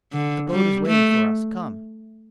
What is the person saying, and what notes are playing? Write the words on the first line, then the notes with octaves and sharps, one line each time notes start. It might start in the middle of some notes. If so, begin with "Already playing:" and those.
"The boat is waiting for us; come."
D3
G3
A3